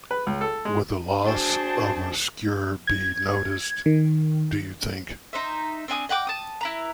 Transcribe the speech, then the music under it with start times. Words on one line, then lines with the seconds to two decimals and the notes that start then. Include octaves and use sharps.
Would the loss of a skewer be noticed, do you think?
0.11 B4
0.27 C#2
0.41 A4
0.65 G#3
1.23 D4 F#4 G#4 C5 G5 A5
2.87 G#6
3.86 D#3
5.33 D#4 C5 E5
5.88 C4 D4 G#5 D#6
6.09 D#5 F#5 G5 D6
6.27 A5 D#6
6.61 E4 B4 A#5